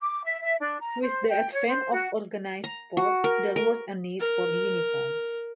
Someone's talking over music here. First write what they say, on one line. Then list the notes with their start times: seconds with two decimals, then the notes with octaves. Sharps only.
With the advent of organized sports, there was a need for uniforms.
0.02 D6
0.25 E5
0.41 E5
0.60 D4
0.80 A#5
1.02 C5
1.28 G5
1.53 C#5
1.68 C5
1.92 F#4
2.64 A#5
2.97 F#4
3.24 A#4
3.56 A#4
4.20 A#4